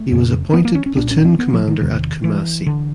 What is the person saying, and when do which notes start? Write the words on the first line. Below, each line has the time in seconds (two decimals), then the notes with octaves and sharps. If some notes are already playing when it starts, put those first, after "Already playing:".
He was appointed Platoon Commander at Kumasi.
Already playing: A3
0.12 F2 C#3
0.54 B3
0.65 A#3
0.75 C#4
0.86 C#4
0.96 C2 A#2 D4
1.11 C#4
1.25 C4
1.39 B3
1.53 F3
1.67 D#3
1.81 E2 C3 D#3
2.24 E3
2.67 D3